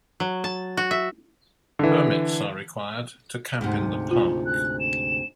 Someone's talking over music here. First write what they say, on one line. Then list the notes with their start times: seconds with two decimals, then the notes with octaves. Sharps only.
Permits are required to camp in the park.
0.20 F#3
0.44 A5
0.77 F#4
0.91 E5
1.79 D3 E3
3.61 D2 G#2 C3
4.11 F4
4.45 F#6
4.79 E7